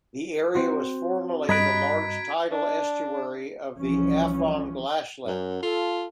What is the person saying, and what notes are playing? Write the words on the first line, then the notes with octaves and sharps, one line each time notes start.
The area was formerly the large tidal estuary of the Afon Glaslyn.
C4 F#4
G2 D#5 A#5 B5 F#6 G#6 B6 D7
D4
C2 E3 F3 C#4
F#2
F4 A4